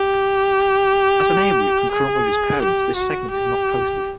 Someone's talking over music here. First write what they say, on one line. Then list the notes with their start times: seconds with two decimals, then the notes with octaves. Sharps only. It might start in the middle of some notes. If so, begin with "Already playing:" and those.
As an 'A' route concurrent with its parents, this segment is not posted.
Already playing: G4
1.92 G#4
2.62 G4
2.96 F#4
3.31 G4